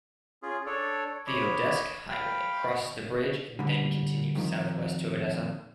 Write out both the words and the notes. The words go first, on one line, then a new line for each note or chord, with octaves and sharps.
The Odeske Highway crosses the bridge and then continues south-west to Odessa.
C#4 F4 G#4
D4 A4 C#5 D5
C#5 D#5 B5 D6
F5 G5 B5
D3 G3
F2 D#3